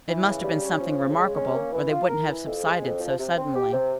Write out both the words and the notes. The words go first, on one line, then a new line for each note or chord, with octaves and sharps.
"It must have been something remarkable, or they wouldn't have subsided so suddenly."
E3
C#3
G3
C#4
F3
C#3
G#3
C#4
A#3
E3
F4
A#4
E3
F2
G#3
F2
F3
C3
C4
G4
C3